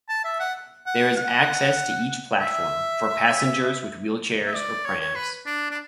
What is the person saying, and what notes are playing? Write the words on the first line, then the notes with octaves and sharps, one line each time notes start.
There is access, to each platform, for passengers with wheelchairs or prams.
A5
E5
F#5
F#5
F#5
E5
E5
D5
C#5
C#5
B4
D4
D4